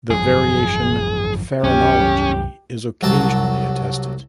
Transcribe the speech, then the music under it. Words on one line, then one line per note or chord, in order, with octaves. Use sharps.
The variation "pharonology" is occasionally attested.
G#1 F#2 F3 G#4
C2 F#2 C#4 G4
C2 F#3 A5